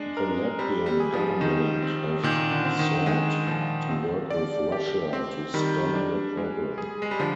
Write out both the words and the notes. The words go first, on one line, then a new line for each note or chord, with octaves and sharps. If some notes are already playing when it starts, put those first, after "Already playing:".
The Latvian government have sought to work with Russia to stem the problem.
Already playing: G#3 D4
A#4
G3 C4
G3
G#4
F3
D#3 D#4
C4
A#2 D#3
D3
C4
D#3
D#3 G#3
A#2 F3
C4
D5
G4
C4
D#3 G3
D4
G#3
G#4
G#3
G3
D3 F3